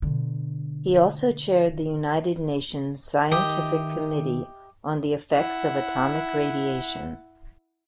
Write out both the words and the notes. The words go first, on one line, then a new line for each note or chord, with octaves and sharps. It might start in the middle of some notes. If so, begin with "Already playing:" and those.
He also chaired the United Nations Scientific Committee on the Effects of Atomic Radiation.
B2 D3
D#3 G4 D#5 E5
E4 F#5